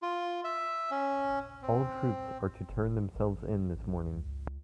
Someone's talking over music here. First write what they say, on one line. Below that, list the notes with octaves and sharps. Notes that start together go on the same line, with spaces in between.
All troops are to turn themselves in this morning.
F4
E5
C#4
C4
F#1
A1
A1
C#2